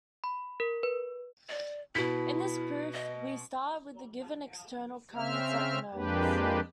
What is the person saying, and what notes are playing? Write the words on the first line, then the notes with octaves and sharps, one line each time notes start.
In this proof, we start with given external currents at the nodes.
B5
A#4
B4
D5
B2 E4 B6
D#5
C#3 C4 E5 F6
F2 G#3 A#3 D4 G4 B4